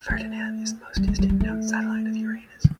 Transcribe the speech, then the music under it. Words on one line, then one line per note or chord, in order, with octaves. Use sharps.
Ferdinand is the most distant known satellite of Uranus.
A3
G3
G#3
G3
G3
A3